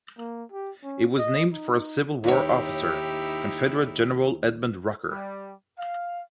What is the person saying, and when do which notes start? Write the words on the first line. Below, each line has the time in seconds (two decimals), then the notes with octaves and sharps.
It was named for a Civil War officer, Confederate General Edmund Rucker.
0.18 A#3
0.52 G4
0.84 C#4
1.18 D#5
1.52 D#4
2.24 D#2 D#4 E4 G4 C#5
5.09 G3
5.78 F5